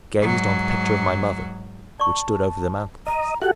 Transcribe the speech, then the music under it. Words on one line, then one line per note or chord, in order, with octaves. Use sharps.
I gazed on the picture of my mother, which stood over the mantel-piece.
G#2 F#3
D5 A5 C#6
D#5 A#5
F#4 G4 A4 E5 F#5